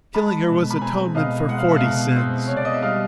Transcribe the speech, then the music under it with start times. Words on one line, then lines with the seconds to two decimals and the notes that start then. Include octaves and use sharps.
Killing her was atonement for forty sins.
0.15 G#3 A5 B5
0.48 B2
0.71 B5
0.81 C4 G#5 A#5
1.15 B2 D#5 F5
1.48 G#3 F#5
1.58 F5
1.68 E5
1.76 D#5 F5
1.83 B2
2.16 C4
2.47 B2 C#5
2.56 D5
2.65 D#5
2.74 E5
2.83 G3 D#5 F5